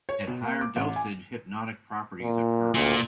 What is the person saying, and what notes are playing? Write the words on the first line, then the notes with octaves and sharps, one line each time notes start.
At higher dosage hypnotic properties occur.
C#5
B2
A#3
D6
A1
G#5
A#2
D2 A#2